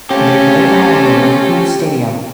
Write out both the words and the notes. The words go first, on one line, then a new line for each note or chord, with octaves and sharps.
They play at home in Riverview Stadium.
A3 C4 C#4 F4 G4 A4